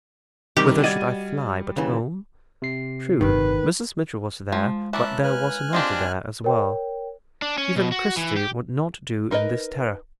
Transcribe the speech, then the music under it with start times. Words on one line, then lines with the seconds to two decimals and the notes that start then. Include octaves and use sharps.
Whither should I fly but home? True, Mrs. Mitchell was there, but there was another there as well. Even Kirsty would not do in this terror.
0.57 C3 D#3 G3 G4
0.84 G3 F#4 D5 D#5 G#6 D#7
1.77 D#2 C#3 E3
2.62 C3 C7
3.21 G1 A2 D#3 B4
4.52 F3 G#3
4.93 E3 A#3 C#4 E5 A5 D6 F#6
5.24 B4 G#5 F6 F#6
5.73 G#3 C4 D4 F4 G4
6.44 A#4 C#5 G5
7.42 D4
7.58 C#4
7.76 B2
7.92 F#4
8.17 E3
8.36 G4
9.31 D#4 A#4 B4 D#5